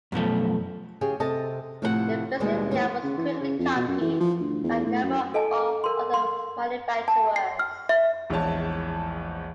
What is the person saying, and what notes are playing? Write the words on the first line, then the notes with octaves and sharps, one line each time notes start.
The basic layout was quickly copied by a number of other manufacturers.
F#2 B2 F3 A3
C#3 G4 G#4
C3 A4 D#5 A5
A2 C3 F3 C4 B4 F#5
D#2 B2 G3 G#3 B3
D#2 E3
C#3
E3
C#3
F2
B2
F#2
E3
F3
D2
E2
A2
F#2
A4 D#5 G#5 A5
A#4 C6
C6
A5
C7
F6
E5
A#1 E2 G#3 C#5 A5